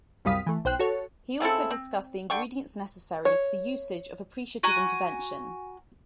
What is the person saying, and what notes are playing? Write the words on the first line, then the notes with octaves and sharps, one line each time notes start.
He also discussed the ingredients necessary for the usage of appreciative intervention.
C2 F#2 G3 F5 D#6 B6
E3 A3
B1 C5 G5 F#6
F#4 A4 C#5
C#3 C4 E4 A4
C4
D3 G5 C#6
C#5
F#4 G#5 A#5